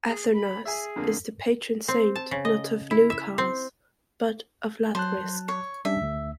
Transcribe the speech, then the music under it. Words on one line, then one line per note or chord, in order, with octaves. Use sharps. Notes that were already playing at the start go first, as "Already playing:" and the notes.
Athernase is the patron saint not of Leuchars but of Lathrisk.
G#4
B5
G#4 E5 G#5
F2 D3 A#3
C4
A5
C#3
D#5
E4
E5
C4
F#3 C5 A5 F#6
C#5
G3 C#4 D4 E5
D2